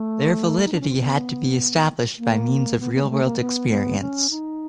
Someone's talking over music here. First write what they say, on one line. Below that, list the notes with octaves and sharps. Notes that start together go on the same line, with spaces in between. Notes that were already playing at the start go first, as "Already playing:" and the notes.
Their validity had to be established by means of real-world experience.
Already playing: A3
D#4
D4
C#4
C4
B3
A#3
B3
B3
G#3
A3
A#3
B3
B3
C#4
D#4